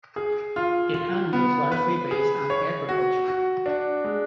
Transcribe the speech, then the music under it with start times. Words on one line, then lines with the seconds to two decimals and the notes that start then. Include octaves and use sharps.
The economy is largely based on agriculture.
0.16 G#4
0.56 F4
0.95 F4
1.33 B3
1.72 B4
2.11 G#4
2.50 C#5
2.89 F#4
3.28 F#4
3.66 D4
4.05 G#3